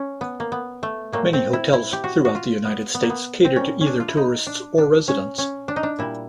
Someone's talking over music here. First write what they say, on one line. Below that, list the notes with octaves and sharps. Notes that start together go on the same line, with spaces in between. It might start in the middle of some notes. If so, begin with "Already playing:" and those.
Many hotels throughout the United States cater to either tourists or residents.
Already playing: C#4
B3
A#3
B3
A3
A#2 F#3 A3 A#3
C4
E4
E4
G4
F#4
F#4
F4
B3
B3
A#3
B3
C4
A#2 G3 C#4
C#4
D4
F4
E4
D#4
D4
D4
C#4
C#4
D4
D#4
D4
A#2 G3 E4